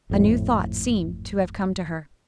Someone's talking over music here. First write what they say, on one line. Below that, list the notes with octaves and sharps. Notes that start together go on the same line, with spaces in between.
A new thought seemed to have come to her.
G#1 F2 A2